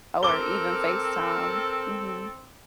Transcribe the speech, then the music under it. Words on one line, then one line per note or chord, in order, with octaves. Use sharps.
or even FaceTime. Mhm.
C4 A4 A#4 D6 G7